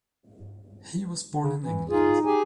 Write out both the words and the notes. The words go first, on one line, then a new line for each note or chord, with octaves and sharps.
He was born in England.
C#3
E3
D#4 F4 G#4
G4 G#4 G#5